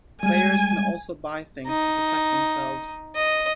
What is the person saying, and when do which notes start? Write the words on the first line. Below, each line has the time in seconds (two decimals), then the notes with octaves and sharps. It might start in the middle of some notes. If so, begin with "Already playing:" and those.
Players can also buy things to protect themselves.
0.23 G3 G#3 G#5
1.68 D#4
3.15 D#5